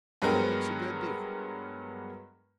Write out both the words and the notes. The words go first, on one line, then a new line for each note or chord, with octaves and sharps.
Head aches a good deal.
G2 F#3 G#3 B3 A#4 G5